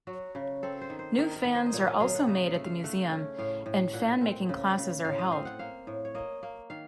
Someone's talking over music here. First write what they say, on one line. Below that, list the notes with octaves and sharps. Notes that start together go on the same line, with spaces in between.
New fans are also made at the museum, and fan-making classes are held.
F#3 F#4
C#3
C4 A4
C5
D#3
C5
D#3 A#4
A#4
D#3
C5
D#5
A#2 C#5
D#5
F#3 F5
F#5
C#3 D#5
F5
A3
F5
A3 F#5
C#4
A2 F5
A2
A#2 F#5
C4
C#3
C#3
A2 F5
D#5
C4 F5
F#5
A#3 F5
A2
C#5
A#3 D#5
A#3
D#3 F5